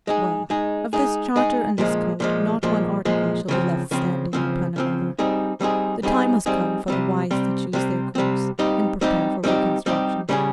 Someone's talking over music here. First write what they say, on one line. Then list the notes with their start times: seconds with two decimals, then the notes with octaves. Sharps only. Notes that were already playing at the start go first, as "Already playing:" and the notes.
Well! of this charter and this code not one article shall be left standing upon another! The time has come for the wise to choose their course, and prepare for reconstruction.
0.07 G#3 D#4 G#4
0.50 G#3 D#4 G#4
0.93 G#3 D#4 G#4
1.36 G#3 D#4 G#4
1.78 A#2 F3 G#3
2.20 A#2 F3 G#3
2.63 A#2 F3 G#3
3.05 A#2 F3 G#3
3.48 C#3 F3 C4
3.91 C#3 F3 C4
4.33 C#3 F3 C4
4.76 C#3 F3 C4
5.19 G3 C4 D#4 G#4
5.61 G3 C4 D#4 G#4
6.03 G3 C4 D#4 G#4
6.46 G3 C4 D#4 G#4
6.88 C3 G3 C4
7.31 C3 G3 C4
7.73 C3 G3 C4
8.15 C3 G3 C4
8.59 G3 C4 D#4 G4
9.01 G3 C4 D#4 G4
9.44 G3 C4 D#4 G4
9.86 G3 C4 D#4 G4
10.29 C#3 G3 C#4 G#4